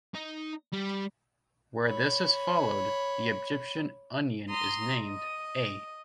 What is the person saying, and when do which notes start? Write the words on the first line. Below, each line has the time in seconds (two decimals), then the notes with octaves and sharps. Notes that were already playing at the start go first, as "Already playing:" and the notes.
Where this is followed, the Egyptian onion is named A.
0.15 D#4
0.73 G3
1.84 C#5 B5
4.48 A#5 C6 D#6
5.00 D#5